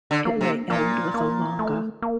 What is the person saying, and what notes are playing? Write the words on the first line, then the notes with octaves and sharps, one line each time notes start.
It may end with a "longa".
D3
A#3
C3 A3
A#3
A#2 A#3
A#3
A3
A#3